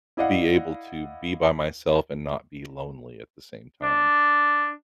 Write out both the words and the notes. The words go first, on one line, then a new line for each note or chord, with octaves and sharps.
be able to be by myself and not be lonely at the same time.
E4 D5 D#5 F5 F#5
D4